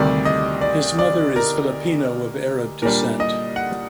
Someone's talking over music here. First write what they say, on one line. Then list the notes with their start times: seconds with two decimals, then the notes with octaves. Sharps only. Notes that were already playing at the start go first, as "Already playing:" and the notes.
His mother is Filipino of Arab descent.
Already playing: D2 C3 D#3 G3 D5
0.25 D#5
0.61 D5
0.99 D5
1.36 A#4
2.82 A#2 G3 D4 A#4
3.20 D#5
3.56 F#5